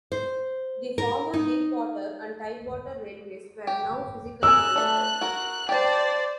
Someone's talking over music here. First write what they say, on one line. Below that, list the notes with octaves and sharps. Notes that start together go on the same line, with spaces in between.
The former Deepwater and Tidewater Railways were now physically connected.
C5
A#4
D#4
G4
G#4 A#4 E6 F#6
A3 D4
F#4 A#4
G4 C5 D5 A5